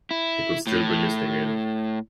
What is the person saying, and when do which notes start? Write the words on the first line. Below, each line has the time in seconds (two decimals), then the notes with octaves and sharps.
He could still be listening in.
0.11 E4
0.67 A2